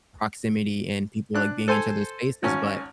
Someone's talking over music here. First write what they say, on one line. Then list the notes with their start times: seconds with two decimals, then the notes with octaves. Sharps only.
proximity and people, like, being in each other's spaces, but
1.35 D4 F#6
1.68 A4 C5 G#5
2.43 G#1 C#4